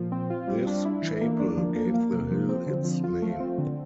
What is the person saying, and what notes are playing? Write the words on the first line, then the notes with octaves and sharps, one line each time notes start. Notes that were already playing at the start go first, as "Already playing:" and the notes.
This chapel gave the hill its name.
Already playing: A#2 F3
C4
F4
G3
D4
E4
E3
A#3
D4
F3
A#3
A#3
C3
F3
C4
D3
F3
F4
A3
C4
D3